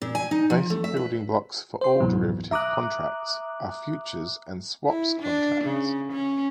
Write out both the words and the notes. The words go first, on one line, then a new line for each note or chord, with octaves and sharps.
The basic building blocks for all derivative contracts are futures and swaps contracts.
A#2
G#5
D#4
F3
A3
E5
B4
C5 C6
C#2 G#2 B2 E3 F#3
E5 A#5 D6 D#6 F#6
E4
D4
C#3
C#4